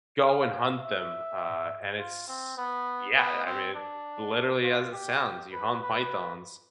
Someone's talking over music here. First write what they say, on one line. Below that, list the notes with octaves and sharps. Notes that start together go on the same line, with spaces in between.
go and hunt them, uh, and it's yeah, I mean, literally as it sounds, you hunt pythons.
F5
E5
F4
C4
B3
B3
C4
D4
F4
G4
B4
B4